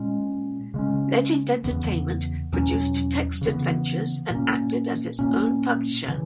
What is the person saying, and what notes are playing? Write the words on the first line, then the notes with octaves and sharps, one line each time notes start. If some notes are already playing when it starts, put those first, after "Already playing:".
Legend Entertainment produced text adventures and acted as its own publisher.
Already playing: A#2 G#3 C#4
C#3 G#3 C#4
E2 C#3 E3 B3
E2 B2 F#3 C#4
C#3 E3 B3
A#2 A#3 C#4
A#2 A#3 C#4
C#3 E3